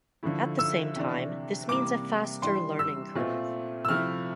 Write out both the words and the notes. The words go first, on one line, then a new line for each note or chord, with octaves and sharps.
At the same time, this means a faster learning curve.
D3 F3 A3 E4
E6
C3 E3 A3 D4
C3 E3 G3 A#3 D6
E3 G3 D4 C6
E6
A#2 A3 C4 F4
E6
C3 F3 A3 E4 F6